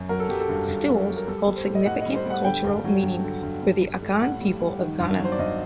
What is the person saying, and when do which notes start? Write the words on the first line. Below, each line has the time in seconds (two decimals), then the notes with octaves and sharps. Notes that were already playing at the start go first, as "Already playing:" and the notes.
Stools hold significant cultural meaning for the Akan people of Ghana.
Already playing: F#2
0.09 F#3 A#4
0.20 A4
0.29 F#3 G4
0.40 A4
0.49 G2
0.68 G2
0.88 F#3
1.08 F#3
1.16 A#4
1.27 G3 A4
1.48 G3
1.56 C5
1.66 A2
1.75 D#5
1.86 A2 F#5
2.01 G3 D#5
2.15 C5
2.26 G3 F#5
2.44 D3 G5
2.64 G2
2.84 F#3
3.03 G2
3.24 D3
3.43 G2
3.62 G3
3.82 G3
4.02 A2
4.21 A2 F#5
4.41 G3
4.61 G3
4.80 D#3
5.00 G2
5.19 F#3
5.24 C5
5.32 D5
5.39 G2 D#5